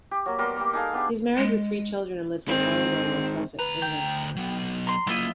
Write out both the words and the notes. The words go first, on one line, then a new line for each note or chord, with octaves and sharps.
He is married with three children and lives in Arundel, West Sussex, England.
G4
F#3 A#3
G3 B3 A#4 C6
A#3 G4
D#4 G#4 A4 F5
B3 D4 G4
G#3
D#3 G#3 C4
D2 B4 A#5
G5
F#3 B3
A#5 C6
F#3 A#3 E4 F4 D#5